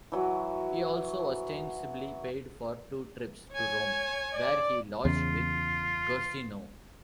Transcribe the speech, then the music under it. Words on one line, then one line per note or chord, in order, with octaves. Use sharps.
He also ostensibily paid for two trips to Rome, where he lodged with Guercino.
E3 F#3 F#4
C#5 G#5
D5
E2 C#3 F4